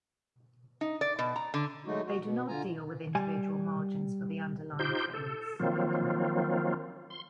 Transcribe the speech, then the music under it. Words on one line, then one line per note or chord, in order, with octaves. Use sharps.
They do not deal with individual margins for the underlying trades.
D#4
D5
B2
A#5
D3
F#3 G#3 A3 D#4 F#4
F#4
B2
D3 F4 G#5 A#5
G3 G#5
D#4 F4 G4 C5 G6
A4
D#3 F3 F#3 A#3 C4 F4
C6